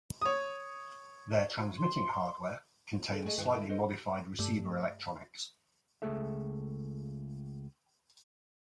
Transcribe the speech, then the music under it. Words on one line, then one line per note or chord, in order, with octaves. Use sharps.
Their transmitting hardware contains slightly modified receiver electronics.
C#5 D#6
C6
D3 F4 G#4 A4
A3 G#4 D#5
D2 G2 D#3 G3 F4 B4
D3 E4 A4
A4 B4 C5 D#5
G2 A3
C#2 A#2 A3 G#4 A4 E5